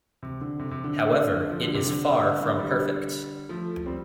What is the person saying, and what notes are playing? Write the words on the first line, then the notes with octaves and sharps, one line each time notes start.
However it is far from perfect.
C3
D3
C3
C3
D3
D3
F3
D3
C3
D3
D3
D3 G3
F3 A3
G3 C4